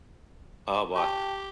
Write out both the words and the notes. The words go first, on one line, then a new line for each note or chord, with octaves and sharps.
Oh, what
G4 G5 A5 C#6